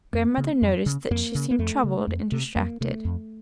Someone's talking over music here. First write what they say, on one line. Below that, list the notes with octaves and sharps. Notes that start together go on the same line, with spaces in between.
Grandmother noticed that she seemed troubled and distracted.
F2 A#3
C#3
F2
C#3
F2 A#3
C#3
A#3
F2 A3
C#3
F2
C3
F2 A#3
C3 A3
F2